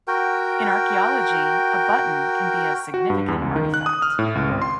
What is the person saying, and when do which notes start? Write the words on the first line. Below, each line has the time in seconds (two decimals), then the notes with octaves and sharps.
In archaeology, a button can be a significant artifact.
0.08 F#4 A#4 G5
2.94 F#4
3.10 G2
3.28 E2
3.42 C#2
3.56 D#3
3.74 F#6
3.86 D#6
4.02 F6
4.19 A2
4.35 C#2
4.49 G#1
4.62 C6